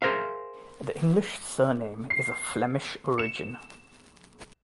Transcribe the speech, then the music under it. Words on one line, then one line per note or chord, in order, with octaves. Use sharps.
The English surname is of Flemish origin.
G#4 A#4 C5 E5 F5
C7
C#7 E7